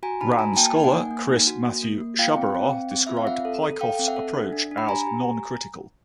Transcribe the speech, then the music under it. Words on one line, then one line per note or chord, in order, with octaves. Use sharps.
Rand scholar Chris Matthew Sciabarra described Peikoff's approach as "noncritical".
F#4 G#5 A#5
D#4 A5 B5
F#4 G#5 A#5
A#3 G5 A5
D#4
F#5 G#5
A#3
A#3
D#4
F#4
A#3
A#3
A#3
F4 F5 G5
C4
C4
C4
C4
F4 E5
F5
C4 E5 F#5
A4
A4
A4 F5 G5
C4
E5 F#5
A4
D4
D4
D4
B5
G4 G#5 A#5
G4